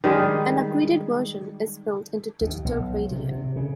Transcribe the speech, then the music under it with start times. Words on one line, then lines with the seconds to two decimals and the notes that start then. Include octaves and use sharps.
An upgraded version is built into digital radio.
0.04 D#3 G3 G#3 G#4
2.41 D#2
2.65 B1
3.11 C3
3.31 C3
3.56 C#3